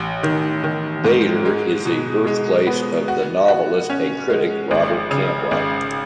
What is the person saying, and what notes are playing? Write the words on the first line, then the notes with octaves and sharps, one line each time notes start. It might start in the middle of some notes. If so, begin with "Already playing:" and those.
Vader is the birthplace of the novelist and critic Robert Cantwell.
Already playing: A1
D#3
D#3
G#2
G#3
B2
G#3
B3
F#4
F#4
C#4
G#3
G#1
C#3
G#1